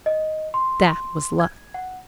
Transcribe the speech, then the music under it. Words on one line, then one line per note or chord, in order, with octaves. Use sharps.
That was luck.
D#5
C6
G#6
F#5